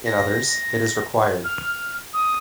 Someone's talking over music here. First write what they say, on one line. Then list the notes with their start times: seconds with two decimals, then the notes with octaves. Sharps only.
In others it is required.
0.06 A#6
1.44 F6
2.14 D#6